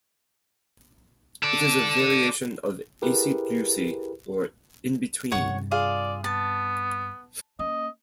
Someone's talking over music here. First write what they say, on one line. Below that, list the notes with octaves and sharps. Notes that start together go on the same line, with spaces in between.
It is a variation of acey-deucey or in-between.
A4 D5
E4 G4 G#4 A#4 B4
G2 C3 C#5 F#5 C#6
F4 G#4 D5 F5
B3 A5
A#3 C#4 D#5